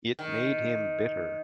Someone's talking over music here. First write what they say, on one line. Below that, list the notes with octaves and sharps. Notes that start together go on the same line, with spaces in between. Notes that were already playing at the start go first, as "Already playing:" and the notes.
It made him bitter.
D#3